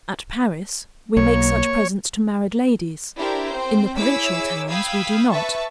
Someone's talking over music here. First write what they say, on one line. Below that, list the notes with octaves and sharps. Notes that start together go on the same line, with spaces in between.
At Paris, we make such presents to married ladies; in the provincial towns, we do not.
B1 A#3 C#5
D4 E4 G4 A#4 C5
C4 C5
E4 G#4 C#5 D6 E6 B6
F5 G5 B5 D#6 E6 G#6
B4 E5 A5 C#6